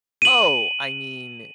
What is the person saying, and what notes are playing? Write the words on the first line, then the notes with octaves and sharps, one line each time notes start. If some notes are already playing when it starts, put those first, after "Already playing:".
Oh, I mean, w
D#7 F#7